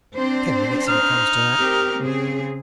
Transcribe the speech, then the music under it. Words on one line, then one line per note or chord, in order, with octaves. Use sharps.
"Ten minutes, if it comes to that."
C4 D4 C5
D#4 F6
C4 G4 A#4
C#3 C4 G#4